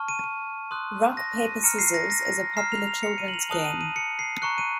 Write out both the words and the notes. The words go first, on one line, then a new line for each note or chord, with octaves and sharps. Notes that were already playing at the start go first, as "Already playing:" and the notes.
Rock, paper, scissors is a popular children's game.
Already playing: A5 C#6 F6
D#7
D#7
C6 D#6 F#6
A#6
D#7
A#5 F6 C#7
C7
A#6
A#6
A#6
A#6
A#5 F6 C7
F7
F7
C#7
D#7
F#7
F7
A5 D#6 F#6 F#7
D#7
D#7
C#7
C7
A#5 C#6 F#6 C#7
D#7